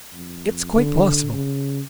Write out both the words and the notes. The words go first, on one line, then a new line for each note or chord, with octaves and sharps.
"It's quite possible."
F2
D3
C#3